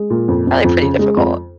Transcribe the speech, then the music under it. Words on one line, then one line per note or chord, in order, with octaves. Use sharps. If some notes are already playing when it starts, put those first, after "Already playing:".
probably pretty difficult.
Already playing: G#3
A#2
F2
F2
F2
C#3
G#3
F2